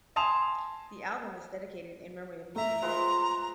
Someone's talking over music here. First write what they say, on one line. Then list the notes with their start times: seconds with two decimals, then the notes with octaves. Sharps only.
The album is dedicated in memory of Niki Wood.
0.16 G#5 A5 C6 D#6 E7 F7
2.56 A3 E5 A#5
2.82 F3 G#3 B4